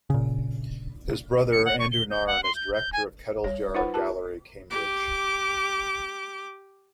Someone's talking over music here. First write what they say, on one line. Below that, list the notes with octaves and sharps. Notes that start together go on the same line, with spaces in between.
His brother, Andrew Nairne, is Director of Kettle's Yard Gallery, Cambridge.
A#2 C#3
C#7
F#5
C#6
G7
G6
F#5
C6
G6
G6
G#5
G3 C#5
D#4 F4 B4 C5 F#5 B5
F4 G4 A#4 A5
G4 D6